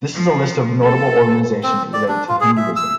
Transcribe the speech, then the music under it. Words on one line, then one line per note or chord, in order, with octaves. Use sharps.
This is a list of notable organisations related to Hinduism.
F3
A4
C4
D5
D4
F4
G#4
E5
E6